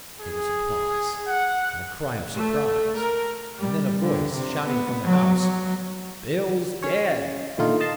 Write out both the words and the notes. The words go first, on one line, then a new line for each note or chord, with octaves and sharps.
There was a pause, then a cry of surprise, and then a voice shouting from the house, "Bill's dead."
G#4
F#5
A3
A#4
G3
D3
C3
B3
F#3
F#3
C#4 C#5
A#2 D3 D#3 A3 D#4 F4
D#5 A5 C6